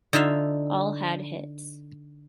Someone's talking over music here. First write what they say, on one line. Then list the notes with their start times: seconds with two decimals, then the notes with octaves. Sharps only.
All had hits.
0.13 D3 D#4 F4 E5 F5